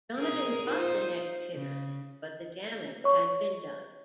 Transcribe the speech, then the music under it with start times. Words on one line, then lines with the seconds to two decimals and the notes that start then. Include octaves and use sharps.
Donovan got the next hitter, but the damage had been done.
0.18 C4 G#4 A#4
0.66 D#4 F4 C5
1.55 C#3
3.04 C#5 C#6